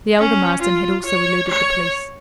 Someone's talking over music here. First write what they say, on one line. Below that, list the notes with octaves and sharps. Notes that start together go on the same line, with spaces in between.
The elder Marston had also eluded the police.
C#4
F4
C#5
C#5